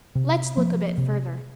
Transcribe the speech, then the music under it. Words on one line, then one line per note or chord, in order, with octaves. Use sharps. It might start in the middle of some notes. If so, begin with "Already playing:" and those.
"Let's look a bit further."
C3
F3 A#3
C3